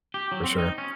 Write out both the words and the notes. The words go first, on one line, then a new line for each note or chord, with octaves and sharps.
for sure.
G4
F#3
C4
D#4
C#4